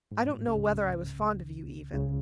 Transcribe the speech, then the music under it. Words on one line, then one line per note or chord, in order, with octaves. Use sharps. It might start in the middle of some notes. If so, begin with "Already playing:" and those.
I don't know whether I was fond of you even.
G#2
A2
C#2 C#3
C#2 C#3